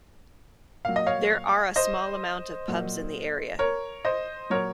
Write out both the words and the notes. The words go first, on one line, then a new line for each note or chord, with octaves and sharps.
There are a small amount of pubs in the area.
A#2 F#3 F5
D#5
C#5 F5
C5 D#5
A#2 F#3
A#4 C#5
C5 D#5
A#2 F#3 A#4 C#5